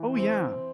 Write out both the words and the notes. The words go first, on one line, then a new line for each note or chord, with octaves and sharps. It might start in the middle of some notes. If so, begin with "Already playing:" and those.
Oh, yeah,
Already playing: E3
C4